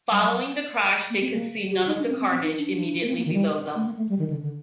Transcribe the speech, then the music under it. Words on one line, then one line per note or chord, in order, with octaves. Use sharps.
Following the crash, they could see none of the carnage immediately below them.
G3
F#3
A#3
C4
A#3
G4
F#4
D#4
D4
C4
C4
C4
D#4
D4
D4
A#3
C4
A#3
D#3
G3
A3
A#3
A3
G3
D#3
D3
D3